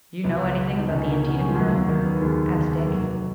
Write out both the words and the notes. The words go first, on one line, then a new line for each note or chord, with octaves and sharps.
"Do you know anything about the Antietam, colonel?" asked Dick.
C#2 B3
B2
D#4
C#2 C#4
A#3
B2
C#4
F3
D#2 F#3
F#3
D#3 A#3
B3
D#2 G#3
D#3
F1 F#3